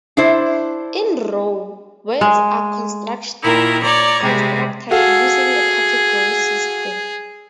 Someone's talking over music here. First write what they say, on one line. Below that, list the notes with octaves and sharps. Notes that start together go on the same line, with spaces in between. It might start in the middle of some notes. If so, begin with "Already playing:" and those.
In Ro, words are constructed using a category system.
D4 E4 C5
G#3
A#2 D#3 E4 A#4
C#5 D5 A#5
C3 G3 G#3
F#4 G#4 A4 F5